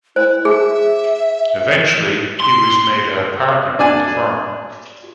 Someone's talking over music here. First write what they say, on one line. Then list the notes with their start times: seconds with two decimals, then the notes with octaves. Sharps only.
Eventually, he was made a partner in the firm.
0.16 E4 C5
0.45 G#4 E5
2.40 C6
3.79 D4 D5 G#5